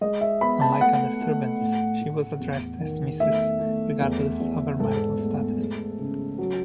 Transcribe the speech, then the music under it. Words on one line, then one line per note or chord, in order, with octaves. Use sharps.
Unlike other servants, she was addressed as Mrs regardless of her marital status.
G#3 D#5
E5
B3 B5
A5
A3 F#5
A3
A2
A2
E2
D#3
A3 E5
A3
E2
E2
G#2 A4
A3
G#3
C#3
F#3